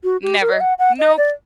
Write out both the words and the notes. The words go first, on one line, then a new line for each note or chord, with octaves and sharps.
Never. Nope.
F#4
G4
A#4
D#5
F#5
F#5
D#5
D5